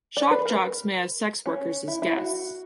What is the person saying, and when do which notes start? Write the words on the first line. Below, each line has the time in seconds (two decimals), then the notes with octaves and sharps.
Shock jocks may have sex workers as guests.
0.17 D5
0.31 B4
0.46 A#4
1.46 C#4
1.88 E4
2.02 E4
2.17 F#4